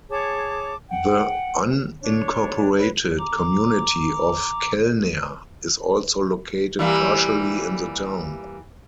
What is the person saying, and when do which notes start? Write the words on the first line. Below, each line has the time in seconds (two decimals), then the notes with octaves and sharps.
The unincorporated community of Kellner is also located partially in the town.
0.10 G#4 C#5 A5 D6
0.88 F#5 G5
2.00 D4 C#5
2.77 B4 C#5
3.19 A#5 D6
6.79 E3 G3 A#3